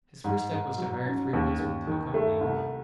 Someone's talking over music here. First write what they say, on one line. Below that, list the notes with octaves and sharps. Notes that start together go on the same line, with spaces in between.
His first step was to hire three woodsmen to accompany him.
G#2
G#2
F#3
C#4
D#2
D#2
D#3
A3
C2